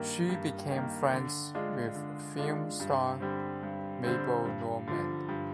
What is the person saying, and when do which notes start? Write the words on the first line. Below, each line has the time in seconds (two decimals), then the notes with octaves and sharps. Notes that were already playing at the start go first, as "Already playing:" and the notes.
She became friends with film star Mabel Normand.
Already playing: G2 D#3 A#3
0.29 G2
0.70 D#3 A#3
1.12 D3
1.55 G#3 D4 F4
1.95 D3
2.38 G#3 D4 F4
2.80 G2
3.20 D3 G3 C4
3.63 G2
4.04 D3 G3 C4
4.45 G2
4.88 D3 F3
5.29 G2